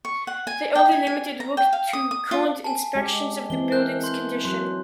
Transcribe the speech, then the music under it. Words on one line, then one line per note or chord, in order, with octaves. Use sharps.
They only limited work to current inspections of the building's condition.
C#6
F#5
G#5
G5
G#5
G#5
A#5
G5
F5
D#6
D#6
F4
G#5 A5
G#3 G4
E3 C4 G7
A#4 F#6 G6
C6 G6
F#3 C6 F#6